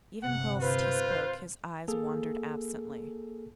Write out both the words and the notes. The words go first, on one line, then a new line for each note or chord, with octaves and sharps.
Even whilst he spoke his eyes wandered absently.
G1 C3 F#5
F4 B4 C5
A#3 G#4 A4